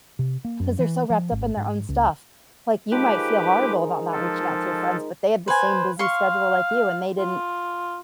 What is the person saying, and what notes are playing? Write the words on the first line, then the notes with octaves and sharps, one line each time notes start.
because they're so wrapped up in their own stuff, like, you might feel horrible about not reaching out to your friends, but they had the same busy schedule like you, and they didn't
C3
A#3
F#2
E3
F3
G#1
G#2
C#2
D#3 F3 G#3 G4 B4 D6
G#3 D#4
F3 A4
B4 C5 G#5
F5 C6 C#6
F4